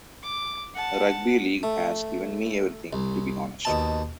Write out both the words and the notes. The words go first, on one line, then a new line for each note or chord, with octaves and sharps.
Rugby league has given me everything, to be honest.
D6
F#5 A5
A3
C2
D#2 B2 A5